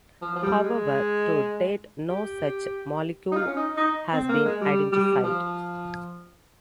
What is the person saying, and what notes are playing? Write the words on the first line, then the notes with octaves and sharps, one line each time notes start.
However, to date no such molecule has been identified.
F3
F3
G3
G#3
G4
D#4
F4
C#4
D#4
D#4
C4
A#3
G#3
G3
G3
G3
F3